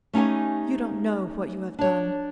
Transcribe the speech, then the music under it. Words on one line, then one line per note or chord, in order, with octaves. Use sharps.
You don't know what you have done.
A3 C#4 D#4 G4 G#5
D4 C#5